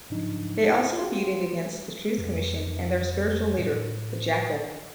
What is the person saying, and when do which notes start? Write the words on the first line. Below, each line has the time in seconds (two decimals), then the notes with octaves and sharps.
They also feuded against the Truth Commission and their spiritual leader, The Jackyl.
0.10 G#2 C#3 F3 F#3 D4 D#4
0.65 E4 C#5 F#5 A5
0.99 F#4 G#4 F5 G5 C6
2.18 F2
3.58 A2